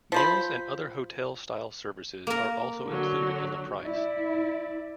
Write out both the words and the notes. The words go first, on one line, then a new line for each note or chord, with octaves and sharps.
Meals and other hotel-style services are also included in the price.
F3 C5 B5
A#3 A#4
D3 F#3
E4 D5